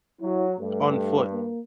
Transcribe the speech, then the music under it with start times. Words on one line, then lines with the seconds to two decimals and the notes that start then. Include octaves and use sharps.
On foot,
0.21 F#3 E4
0.59 G2 A3
1.32 A#3